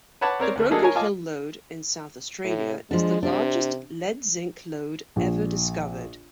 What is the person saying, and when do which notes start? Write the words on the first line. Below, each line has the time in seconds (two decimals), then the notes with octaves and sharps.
The Broken Hill Lode in South Australia is the largest lead-zinc lode ever discovered.
0.21 B4 C#5 F#5 A5 B5 D6
0.40 C4 A#4 C#5 D5
0.56 D2 A3
0.71 F#3 A#3 D4 G#4 A4 D#5
0.83 A#4 C#5 G#5
0.95 F4 D#5 G#5 A5 D6
2.44 A2
2.91 F3 G#3 D4
3.23 C3 D4
5.16 A#1